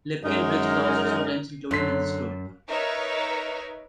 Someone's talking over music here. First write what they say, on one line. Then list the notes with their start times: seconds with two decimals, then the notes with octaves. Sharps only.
Lipkin Bridge is also sometimes included in this group.
0.24 F#2 G#3 D#4 A#4
1.71 F#2 D3 C6 B6
2.67 D#4 A#4 B4 C#5 E5